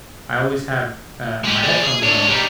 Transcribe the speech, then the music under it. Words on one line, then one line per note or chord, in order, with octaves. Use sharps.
I always have, uh, my headphones on,
G#3 G4
D4 G#4
G#4
D4 C#5
G3 D#4